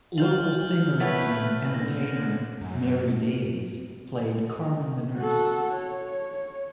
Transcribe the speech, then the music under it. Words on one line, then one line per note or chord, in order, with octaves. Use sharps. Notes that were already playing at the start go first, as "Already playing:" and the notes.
Local singer and entertainer Mary Davies played Carmen the Nurse.
F4 F6 G6 F#7
C#3 A3 A#3 E4 B4 C#5 F#5
D3 A#6
F#2
F#4 A4
C#5